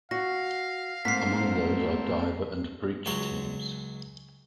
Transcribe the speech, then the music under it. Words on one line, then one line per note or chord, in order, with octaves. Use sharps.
Among those are diver and breach teams.
F#4 F5 A#6
G#2 A3 A#3 C4 B6 C7
C#2 F#3 C6